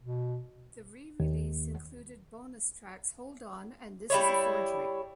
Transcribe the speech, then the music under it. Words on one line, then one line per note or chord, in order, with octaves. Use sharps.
The re-release included bonus tracks "Hold On" and "This Is a Forgery".
B2
D#2
G3 E4 C#5